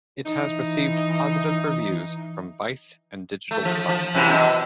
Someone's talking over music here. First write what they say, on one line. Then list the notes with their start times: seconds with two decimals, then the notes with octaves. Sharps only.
It has received positive reviews from "Vice" and "Digital Spy".
0.25 E3 D#4
3.51 A3
3.65 F3
3.89 F3
4.15 F#2 C3 E3
4.29 B2